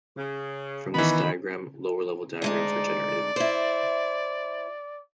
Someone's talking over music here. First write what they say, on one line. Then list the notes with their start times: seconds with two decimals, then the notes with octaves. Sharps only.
From this diagram lower-level diagrams are generated.
0.18 C#3
0.94 D#3 E3 B3 B5
2.42 D2 G#3 D#4 D5
3.36 E4 C5